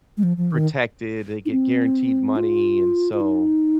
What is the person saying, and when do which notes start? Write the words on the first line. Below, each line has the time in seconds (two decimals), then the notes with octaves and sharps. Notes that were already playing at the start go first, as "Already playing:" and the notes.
protected, they get guaranteed money and so,
0.17 G#3
0.23 F3
0.37 F3
0.52 D#3
1.46 D#4
1.51 C4
2.37 F4
3.13 F4
3.21 D#4